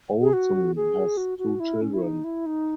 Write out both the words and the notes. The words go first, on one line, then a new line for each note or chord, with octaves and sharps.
Olson has two children.
G#4
F#4
G#4
F#4
F#4
E4
C#4
E4
D#4
E4
D#4